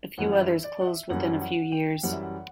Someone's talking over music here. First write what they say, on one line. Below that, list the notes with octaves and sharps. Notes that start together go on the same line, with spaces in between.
A few others closed within a few years.
F#2 E3 G3 F#5
D5
E5
D5
F#5
E5
F#2 E3 G3 F#5
F#5
G5
F#2 E3 G3 F#5
E5
F#5